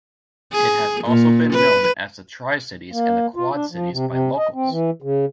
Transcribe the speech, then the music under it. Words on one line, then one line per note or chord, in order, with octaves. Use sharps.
It has also been known as the Tri-Cities and the Quad-Cities by locals.
G#4
A#2
B4
A#3
F4
D4
F3
C3
C3
D#5
C4
E3
C#3